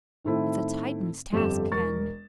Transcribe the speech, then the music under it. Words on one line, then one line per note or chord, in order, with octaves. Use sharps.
"It's a Titan's task, Ken."
A2 D#3 A3 C4 E4
G1 F2 G4 A4 E7
E1 A#4 C#6 A6